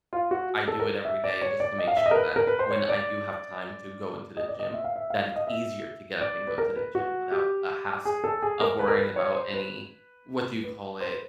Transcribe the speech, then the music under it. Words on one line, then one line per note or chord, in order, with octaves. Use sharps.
I do it every day just to make sure that when I do have time to go into the gym, that it's easier to get up and go to the gym without a hassle of worrying about any- what do you call it-
F4
F#4
A4
A#4
E5
D5
C#5
D5
D#5
F5
E5
D#5
A#4
B4
A#4
B4
C5
C#5
D5
D#5
D5
D#5
E5
F5
E5
F5
D#5
E5
D5
B4
A#4
B4
F#4
G4
G#4
A4
G#4
A#4
B4
A#4
B4
C#5
C5
B4
B4
C5
B4